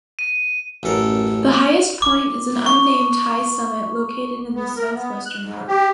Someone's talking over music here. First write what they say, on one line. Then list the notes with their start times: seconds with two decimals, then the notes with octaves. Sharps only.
The highest point is an unnamed high summit located in the southwestern part.
0.19 D#7
0.83 A1 F#2 A4 A#4
2.02 D6
2.66 C#6
4.55 B3
4.77 A#4
4.95 B3
5.25 F#6
5.42 G#2
5.68 G4